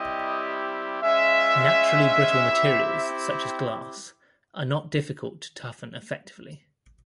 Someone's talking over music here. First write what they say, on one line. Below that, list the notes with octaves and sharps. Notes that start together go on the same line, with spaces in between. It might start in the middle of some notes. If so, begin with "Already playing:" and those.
Naturally brittle materials, such as glass, are not difficult to toughen effectively.
Already playing: G3 C4 E4 G4 D#5
G#3 C#4 F4 E5
C4 E4 G4